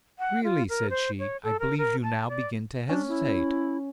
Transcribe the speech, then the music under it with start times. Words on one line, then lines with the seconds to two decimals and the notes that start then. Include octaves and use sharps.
"Really," said she, "I believe you now begin to hesitate."
0.19 F#5
0.44 F4
0.69 A#4
0.90 C5
1.19 C#5
1.43 A4
1.59 A#4
1.78 A#4
2.03 A5
2.28 D5
2.89 C#4 D4
3.08 E4